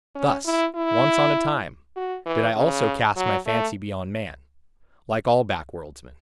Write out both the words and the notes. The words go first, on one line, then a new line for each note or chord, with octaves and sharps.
Thus, once on a time, did I also cast my fancy beyond man, like all backworldsmen.
C#4
E4
E4
F#4
E3
C#3
F#3
A3